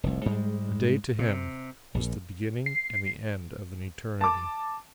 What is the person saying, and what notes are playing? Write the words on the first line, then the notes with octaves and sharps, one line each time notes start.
A day to him was the beginning and the end of an eternity.
F1 C2
G#2 G3 G#3
C3
A#1
C7
A5 D6